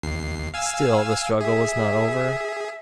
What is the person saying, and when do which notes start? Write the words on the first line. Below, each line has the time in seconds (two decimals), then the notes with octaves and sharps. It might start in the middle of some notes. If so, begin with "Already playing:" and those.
Still the struggle was not over.
0.03 D#2 C7
0.54 F5 G#5 E6
1.41 G#4 E5